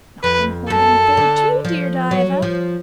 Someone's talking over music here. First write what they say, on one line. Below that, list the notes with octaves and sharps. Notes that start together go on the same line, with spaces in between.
Not been hoarding food, too, dear Diva?
F2 B4
F#2 A4
D3
F3
F#3
F3